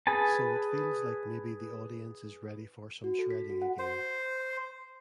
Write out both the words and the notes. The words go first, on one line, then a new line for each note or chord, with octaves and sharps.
So it feels like maybe the audience is ready for some shredding again.
G#4 B4 G#5 A5
F#4
A4
B6
F#4
F#5
C5